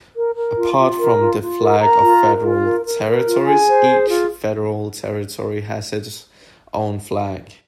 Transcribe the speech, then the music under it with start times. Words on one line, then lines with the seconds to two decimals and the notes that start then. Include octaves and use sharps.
Apart from the flag of Federal Territories, each federal territory has its own flag.
0.16 A#4
0.36 A#4
0.57 F4
0.78 F4
0.98 A#4
1.19 F4
1.40 F4
1.60 A#4
1.81 A#4 A#5
2.02 F4
2.23 A#4
2.43 F4
2.64 A#4
2.85 A#4
3.06 A#4
3.26 F4
3.46 G#4 G#5
3.68 C5
3.89 G#4
4.09 F4